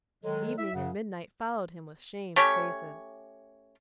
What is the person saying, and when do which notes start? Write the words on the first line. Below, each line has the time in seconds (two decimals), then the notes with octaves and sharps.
Evening and Midnight followed him with shamed faces.
0.24 D#3 F#3 G#3 A4
0.58 E4 E5
0.73 F#2 C#3 F#5
2.36 A3 C#4 G4 C#5